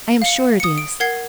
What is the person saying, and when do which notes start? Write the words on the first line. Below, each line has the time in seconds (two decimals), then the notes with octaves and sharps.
"I am sure it is."
0.22 F5 C#7
0.60 D#6 C#7
0.78 D7
1.00 A#4 F#5 G#6 C7